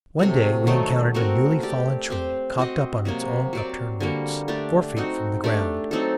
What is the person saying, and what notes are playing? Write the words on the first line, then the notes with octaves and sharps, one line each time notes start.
One day we encountered a newly fallen tree, cocked up on its own upturned roots, four feet from the ground.
C3 F#3 A3
D#3 F#3 A3 D#4
A3 C4 F#4 A#4
C4 G4 D5
C4 G4 C5
C4 F#4 C5 D#5
C3 F#3 A#3
F#3 C4 G4 D5
D3 G3 A#3 F#4
A3 D4 G4 D5
C4 D#4 F#4
A3 D4 G4 D5
F#3 C4 D#4 A4